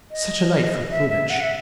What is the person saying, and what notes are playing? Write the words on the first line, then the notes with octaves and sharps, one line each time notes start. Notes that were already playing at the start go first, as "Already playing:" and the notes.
Such a night for plumage!'
D#5
E5
E5
F#5
E5